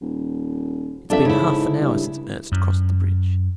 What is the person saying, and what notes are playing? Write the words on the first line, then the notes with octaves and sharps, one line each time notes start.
"It's been half an hour since Ernst crossed the bridge."
D#1
F2 D4 A4 E5
G#2 C#3 E4
G2
F#2